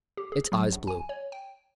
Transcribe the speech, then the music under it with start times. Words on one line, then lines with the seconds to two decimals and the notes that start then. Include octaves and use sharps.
Its eyes blue.
0.17 G4
0.32 G#4
0.52 F#3
0.72 A#1
0.87 G#5
1.09 C#5
1.32 G5